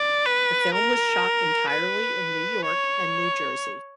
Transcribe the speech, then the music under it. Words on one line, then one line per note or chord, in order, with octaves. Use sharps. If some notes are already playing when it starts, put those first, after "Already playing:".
The film was shot entirely in New York and New Jersey.
Already playing: D5
B4
A#4
B4
C#5